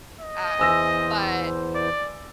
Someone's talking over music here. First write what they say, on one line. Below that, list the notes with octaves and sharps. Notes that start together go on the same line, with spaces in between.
um, but
D#5
E2 E3 C5 G#5 E6 A#6
D5